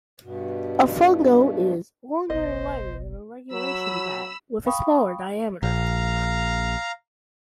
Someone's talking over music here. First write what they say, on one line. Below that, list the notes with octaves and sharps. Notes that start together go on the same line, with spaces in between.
A fungo is longer and lighter than a regulation bat, with a smaller diameter.
G2 B2
F#1 B1 B3 C5 D#5
F#3 B5 E6
F5 G5 B5 C#6 D#6
A#1 F5 A#5